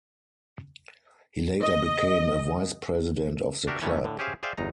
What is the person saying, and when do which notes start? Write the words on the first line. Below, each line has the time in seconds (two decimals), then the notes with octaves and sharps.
He later became a Vice-President of the Club.
1.63 D#5
3.67 D4 F#4 G4 A#4 E5
3.82 G2 C3 D#3 E3 A3 C#4
4.04 A2 D3
4.19 C#4 G4 G#4 C5 E5 F5
4.43 G#4 C5 D5 E5 F5 G5
4.57 G1 E2 D#4 A#5